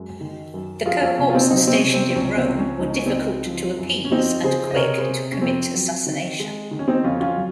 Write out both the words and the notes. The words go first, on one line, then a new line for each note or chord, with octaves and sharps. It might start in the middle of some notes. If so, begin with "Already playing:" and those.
The cohorts stationed in Rome were difficult to appease and quick to commit assassination.
Already playing: F#2 G#3
D#3
F#2
F2 F4 G#4
C#4 F4
C3 C#4
F4
C4 D#4
F#3 C4 D#4
C4
C#4
C3
C4
C4
C#2 C#4
C4
C#2
C#4
C#2 D#4
C#4
C4 D#4
C#2
F3
F#2
C#4
F3 C4 D#4
C#3 G#4 C5
D#5
C3 A#4 C#5
G#4 C5
C3
C#4
F2 C4
F#3
D#3
G#3
D#3
C#4
C4 D#4
F2 C#4 F4
C#4 F4
F#3